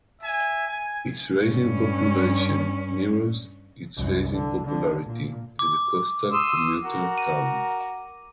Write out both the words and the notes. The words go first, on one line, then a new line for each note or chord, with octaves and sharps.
Its rise in population mirrors its rise in popularity as a coastal commuter town.
E5 G#5
G#5
G2 C#4
C2 F#2
D3
D3
A#2
D6
C6 D#6 E6
F#4 A#4
D#7